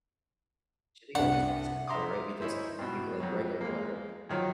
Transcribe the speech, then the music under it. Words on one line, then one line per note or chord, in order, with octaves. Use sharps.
she had to get, like, a specific butter, right, because when you get, like, regular butter,
C2 D4 F#5
E5 A#5 C6 D6 D#6
C#4 D#4 E4 C5
G2 B2
F2 F#3
G#3 A#3
F#2 D#3 F3 F#3